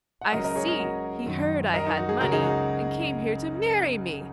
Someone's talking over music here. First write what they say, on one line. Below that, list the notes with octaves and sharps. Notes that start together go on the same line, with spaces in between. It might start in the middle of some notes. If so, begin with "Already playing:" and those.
"I see: he heard I had money, and came here to marry me!"
F#5
C#2 C#3 F#3 A#4 D#5
A#4 D#5
G#4 C#5
A#4 D#5
F#4
F#2 D#3 F#3
A#4 D#5
D#4
F#4
G#4
C#2 C#3 F#3 F#4 A#4
D#4 G#4
F#4